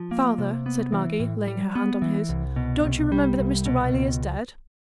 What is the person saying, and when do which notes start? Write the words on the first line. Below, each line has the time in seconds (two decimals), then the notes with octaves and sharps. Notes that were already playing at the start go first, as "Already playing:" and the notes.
"Father," said Maggie, laying her hand on his, "don't you remember that Mr. Riley is dead?"
Already playing: F3
0.11 A#3
0.38 C3
0.66 B3
0.92 E3
1.20 A2
1.47 G3
1.75 B3
2.02 E3
2.29 C2
2.56 B2
2.84 C2
3.12 G3
3.39 C2
3.66 B2
3.94 C#2